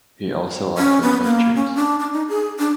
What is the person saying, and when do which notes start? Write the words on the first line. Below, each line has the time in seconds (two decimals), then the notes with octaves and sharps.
He also offered lectures.
0.78 C#4
1.02 B3
1.24 A#3
1.55 C#4
1.75 D4
1.99 D4
2.13 D#4
2.29 G#4
2.59 D4